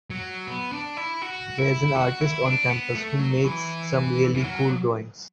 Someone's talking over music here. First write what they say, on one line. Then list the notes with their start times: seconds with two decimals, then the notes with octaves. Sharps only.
There’s an artist on campus who makes some really cool drawings.
0.10 F#3
0.47 B3
0.72 D4
0.97 E4
1.22 F#4
1.58 E4
1.95 F#4
2.21 E4
2.45 D4
2.70 B3
2.95 A3
3.19 F#3
3.44 E3
4.35 E3
4.44 F#3